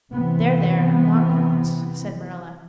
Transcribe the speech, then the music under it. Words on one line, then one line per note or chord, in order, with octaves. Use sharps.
"There, there, I'm not cross," said Marilla.
C3 E3 B3 C4